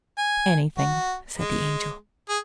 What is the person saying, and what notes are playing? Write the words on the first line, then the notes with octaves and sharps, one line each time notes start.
"Anything," said the Angel.
G#5
F#4
G#3
G#4